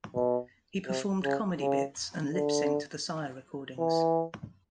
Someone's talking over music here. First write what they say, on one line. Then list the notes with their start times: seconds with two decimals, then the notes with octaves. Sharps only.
He performed comedy bits and lip-synced the Sire recordings.
0.15 B2
0.87 C3
1.24 C#3
1.60 C#3
2.34 D3
3.79 E3